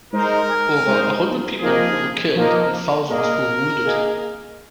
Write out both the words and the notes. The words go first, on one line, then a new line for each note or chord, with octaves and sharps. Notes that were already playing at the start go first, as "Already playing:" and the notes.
Over a hundred people were killed and thousands were wounded.
G#3 D#4 A#4 C5 D#5
G#3 D#4 C5 D#5
F3 A#3 D#4 G#4 A#4 D#5
F3 A#3 D#4 A#4 D#5
A#3 G#4 A#4 D#5
A#3 G#4 D#5